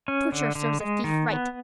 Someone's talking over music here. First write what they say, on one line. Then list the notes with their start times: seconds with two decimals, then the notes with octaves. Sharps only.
Torture serves a thief right.
0.08 C#4
0.32 D3
0.55 D3
0.80 G#3
1.04 D#3
1.28 B3